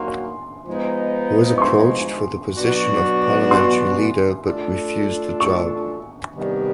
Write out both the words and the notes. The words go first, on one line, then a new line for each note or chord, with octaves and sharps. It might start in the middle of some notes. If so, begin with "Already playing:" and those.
He was approached for the position of parliamentary leader but refused the job.
Already playing: F#3 A#3 D#4 F#4 C6
F3 G#3 B3 D#4
C#6
C6
B2 F#3 B3 D4 F#4
C6
A3 D4 F4 A4
C#6
C3 D#3 G3 B3 D4